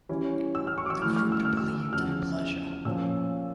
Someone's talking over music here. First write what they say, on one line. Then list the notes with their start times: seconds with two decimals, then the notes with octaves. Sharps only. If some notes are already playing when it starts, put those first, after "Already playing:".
The Group believed in pleasure ...
0.09 E3 G3 C#4 E4
0.55 E6
0.67 F6
0.78 C#6
0.86 D6
0.90 E6
1.01 E3 A3 E4 F6
1.16 F6
1.32 E6
1.45 F6
1.57 E6
1.93 E2 C#3 F3 F6
2.85 A#2 F3 C#4 E6